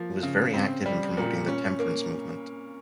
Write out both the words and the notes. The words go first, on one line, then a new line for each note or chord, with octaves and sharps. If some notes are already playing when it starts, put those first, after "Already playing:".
He was very active in promoting the temperance movement.
Already playing: F3 A#3
C#3
C4
G3
A#2
C#4
A#3